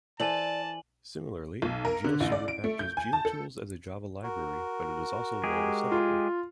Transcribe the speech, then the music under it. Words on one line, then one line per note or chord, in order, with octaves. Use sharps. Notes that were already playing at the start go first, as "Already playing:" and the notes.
Similarly, GeoServer packages GeoTools as a Java library, but it is also available separately.
E3 A4 C5 D5 G#5 A5 F#7
B1
A#4
D3
A1
D5
D7
A3
G6
G#5
A5
A4
F#4 A#4
G#3 G4 G#4
F4